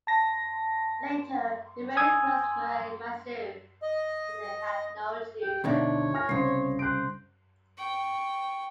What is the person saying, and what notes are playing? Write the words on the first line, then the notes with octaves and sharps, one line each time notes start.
Later he married Cruz Maria Massu, but they had no children.
A5 A#6
G#5 D#6 E6 G#6
D#5
G4 G5
D2 B2 D4 D#4 C#5 E5
G#5 F6 A#6
C2 C#3 C4 C6 C7
C5 F#6 D7
G5 C#6